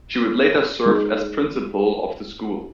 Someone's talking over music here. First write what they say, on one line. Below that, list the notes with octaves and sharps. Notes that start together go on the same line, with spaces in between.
She would later serve as principal of the school.
G#3 D#4